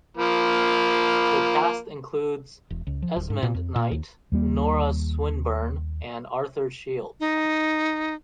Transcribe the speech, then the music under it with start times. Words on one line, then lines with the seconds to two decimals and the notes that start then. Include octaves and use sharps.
The cast includes Esmond Knight, Nora Swinburne and Arthur Shields.
0.17 F3 A#3 B5
2.70 E1
2.87 C#2
3.02 F3
3.16 D1
3.30 G#2
3.43 A#2
3.54 F2
3.76 A#2
3.91 D#2
4.32 D#2 G3 A#3
7.20 D#4